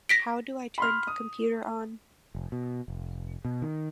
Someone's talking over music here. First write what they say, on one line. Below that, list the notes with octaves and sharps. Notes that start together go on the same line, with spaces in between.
How do I turn the computer on?
A#6 B6 D7
B5 C6 F6
D#6
F1
B2
F1
B2
D#3